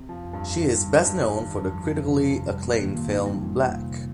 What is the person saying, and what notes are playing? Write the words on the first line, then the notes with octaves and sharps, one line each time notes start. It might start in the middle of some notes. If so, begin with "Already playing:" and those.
She is best known for the critically acclaimed film "Black".
Already playing: C3
F2 F3
F2
G2
F2
D#4
G3
G3
G2 G3
D#4
D#3
F2
F3
F2
C3
F3
F2
G3
A#3
D#3
A#2 D#3
A#2 D#4
C3 G3
F2 A#2
F2
A#2
C3
C3